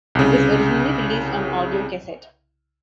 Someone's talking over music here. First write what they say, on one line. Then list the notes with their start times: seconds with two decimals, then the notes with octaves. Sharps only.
It was originally released on audio cassette.
0.15 C2 C#3